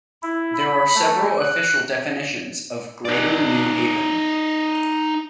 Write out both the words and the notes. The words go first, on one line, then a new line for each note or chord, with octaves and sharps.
There are several official definitions of Greater New Haven.
E4
B5
A3
F#6
D#4 D5